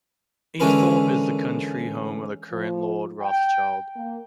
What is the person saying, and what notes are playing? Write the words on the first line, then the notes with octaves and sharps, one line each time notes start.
Eythrope is the country home of the current Lord Rothschild.
D3 E3 G#3 C#4 A#4 B4
F3
G5
A#3